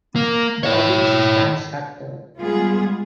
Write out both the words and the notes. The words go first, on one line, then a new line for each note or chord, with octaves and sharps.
The obelisk stands at tall.
A#3
E4 C#5
G3 G#3 B3 F4 G#4